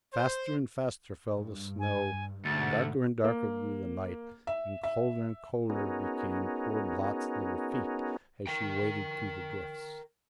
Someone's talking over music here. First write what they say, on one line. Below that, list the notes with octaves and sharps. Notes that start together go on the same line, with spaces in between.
Faster and faster fell the snow darker and darker grew the night, and colder and colder became poor Blot's little feet as she waded through the drifts.
C5
G2
G#5
D2 G#2 B2 A6
A#3
E5
E5
B3 C#4 D#4 F#4 G#4 A#4
A#4 G5